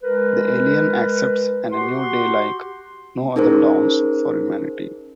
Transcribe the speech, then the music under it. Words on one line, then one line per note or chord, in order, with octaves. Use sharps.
The Alien accepts, and a new day like no other dawns for humanity.
G#3 A#4 B4
F#4 G4 F#5 C6
C#4 D#4 G#4 A#4 C5